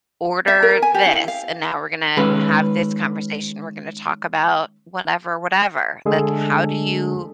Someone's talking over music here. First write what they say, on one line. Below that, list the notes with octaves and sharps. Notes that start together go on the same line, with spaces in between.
order this, and now we're gonna have this conversation, we're gonna talk about whatever, whatever." Like, how do you
E5
A#4
G#5
G4
E4
F5
D#3 G#3 C#4 A4 B4
D3 G#3 A3 D4 G#4 A4